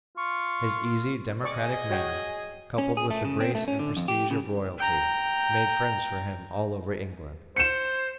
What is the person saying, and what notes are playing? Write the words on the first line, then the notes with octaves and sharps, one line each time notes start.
His easy, democratic manner, coupled with the grace and prestige of royalty, made friends for him all over England.
F4 C#6
G#4 D5 D#5 G#5 C#6 D6
F#4 C#5 G5
C#4
G#4
A3
C#3
C4
A3
C#4
D3
F2
G4
C#3
G5 A#5
C5 C#7 E7